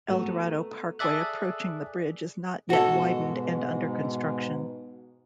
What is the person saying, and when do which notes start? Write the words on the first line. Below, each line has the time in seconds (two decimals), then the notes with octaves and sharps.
Eldorado Parkway approaching the bridge is not yet widened and under construction.
0.08 A3 B3 F#4 A4 A#4
0.99 G#4 A4 D5 E5 F#6
2.70 G#2 B2 F#4 A4